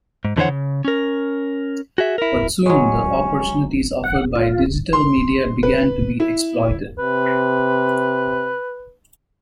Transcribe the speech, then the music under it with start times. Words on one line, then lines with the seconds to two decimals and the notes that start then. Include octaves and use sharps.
But soon the opportunities offered by digital media began to be exploited.
0.25 G#2
0.37 F2 D3 E3 C5 C#5 F#5
0.48 C#3
0.85 C#4 A#4
1.98 F#4 G#4 E5
2.18 E4 A#4
2.66 F#3 G#3 C#4
4.04 F#5
4.36 F4
4.93 C6
5.63 B4
6.20 E4
6.98 C3 B4